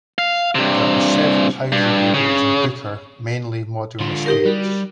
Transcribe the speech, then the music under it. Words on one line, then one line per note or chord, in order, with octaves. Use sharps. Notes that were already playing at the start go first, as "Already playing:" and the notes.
There are several housing areas in Booker, mainly modern estates.
F5
G2 C3
G2
C#3
D3 F4
D#4 G4 A#4
G3 F#4